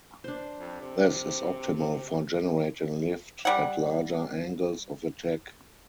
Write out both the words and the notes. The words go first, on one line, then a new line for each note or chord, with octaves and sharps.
This is optimal for generating lift at larger angles of attack.
D4 C5
F2
C3
G3 F#5